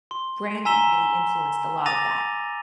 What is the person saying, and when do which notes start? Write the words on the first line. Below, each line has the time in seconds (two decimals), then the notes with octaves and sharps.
Brandy really influenced a lot of that.
0.11 C6
0.65 G#5 A#5 E6 B6 E7 G7
1.86 D6 D#6 A6 A#6 D#7 F7